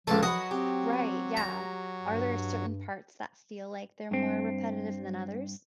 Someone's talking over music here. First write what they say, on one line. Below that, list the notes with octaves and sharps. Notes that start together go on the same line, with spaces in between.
Right, yeah. Are there certain parts that feel like they're more repetitive than others?
C#2 A#2 E3 F3 A3 A4 A5
F#3 F#4 A4 B4 D#5
C4 G4
A#5
G2
G2 C4